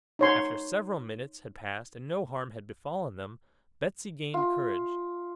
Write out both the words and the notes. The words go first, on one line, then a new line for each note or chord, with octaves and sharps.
After several minutes had passed and no harm had befallen them, Betsy gained courage.
D#4 C#5 C6
F4